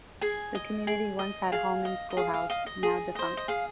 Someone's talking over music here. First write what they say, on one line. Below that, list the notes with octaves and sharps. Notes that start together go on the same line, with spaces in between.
The community once had Holman Schoolhouse, now defunct.
G#4 G#5
D#5
G#4
D#5
G#4 F5
D#5
D#5
G#4 F5
F5
D#5 F5
D#5
G#4
C5 D#5
D#5
G#4 F5